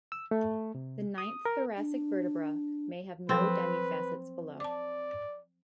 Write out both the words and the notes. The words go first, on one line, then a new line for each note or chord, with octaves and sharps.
The ninth thoracic vertebra may have no demi-facets below.
E6
A3
C3
D#6
A#4
D4
F3 F#3 C4 A4 B4
D5 A5 D6